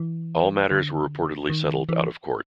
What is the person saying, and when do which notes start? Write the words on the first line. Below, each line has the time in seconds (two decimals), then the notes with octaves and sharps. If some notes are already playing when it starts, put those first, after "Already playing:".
All matters were reportedly settled out of Court.
Already playing: E3
0.71 D3
1.50 D#3
1.89 E3